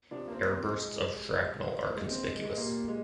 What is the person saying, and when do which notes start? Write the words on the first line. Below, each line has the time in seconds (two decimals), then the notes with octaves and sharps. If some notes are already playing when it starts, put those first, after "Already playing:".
Air-bursts of shrapnel are conspicuous.
0.11 C3 F3 D4
0.27 A#3
0.32 C4
0.53 C4
0.73 G#3
1.91 A#3
1.96 G#3
2.11 C4
2.26 G#3
2.42 G#3
2.57 A#2 G3 A#3
2.88 G#3